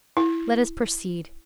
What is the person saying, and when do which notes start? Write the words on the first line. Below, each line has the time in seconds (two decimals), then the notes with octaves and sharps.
Let us proceed.
0.17 E4